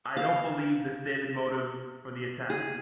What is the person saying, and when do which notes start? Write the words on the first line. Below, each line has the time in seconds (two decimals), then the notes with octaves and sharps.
I don't believe the stated motive for the attack.
0.17 F5
2.50 G#4